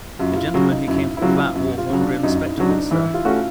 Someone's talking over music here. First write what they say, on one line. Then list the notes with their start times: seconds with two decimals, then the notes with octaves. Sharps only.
The gentleman who came to the flat wore horn-rimmed spectacles, sir.
0.19 F#2 F4
0.32 E4
0.36 F4
0.54 C#3 F#3 F4
0.70 D#4
0.88 F#2 E4
1.17 E4
1.21 C#3 F#3 F4
1.55 F#2
1.78 F4
1.90 C#3 F#3
2.00 D4
2.23 F#2 D#4
2.46 E4
2.58 C#3 F#3 D4
2.69 D#4
2.91 E3 E4
3.14 F4
3.25 A3 C#4 F4 F#4